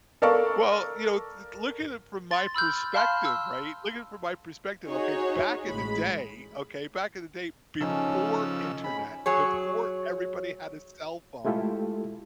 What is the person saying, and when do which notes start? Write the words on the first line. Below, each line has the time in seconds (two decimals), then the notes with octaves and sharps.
Well, you know, to to look at it from my perspective, right? Looking from my perspective, okay, back in the day okay, back in the day, before internet, before everybody had a cellphone.
0.22 A4 A#4 D5 F5 C#6
2.31 C6 A6
2.55 B5 E6 F6 G6
2.94 F5 A5 B5 C6 F6
3.25 E6
4.88 D#4 F#4 G#4 C#5
5.68 A1 A2 G#3 B5
7.81 C#3 F3 C#4 D#4 A4 E6
8.84 C#4 G#4 B5
9.26 F#3 G#4 C#5
11.45 G#3 A3 E4 F4 G4 A4